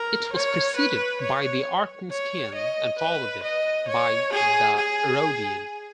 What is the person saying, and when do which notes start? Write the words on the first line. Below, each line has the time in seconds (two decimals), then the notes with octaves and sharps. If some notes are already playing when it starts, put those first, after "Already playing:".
It was preceded by the Artinskian and followed by the Roadian.
Already playing: A#4
0.33 C#5
0.77 B4
1.22 C#5
2.10 C#5
2.55 D#5
2.99 B4
3.44 D#5
3.89 C#5
4.33 G#4
4.76 G#4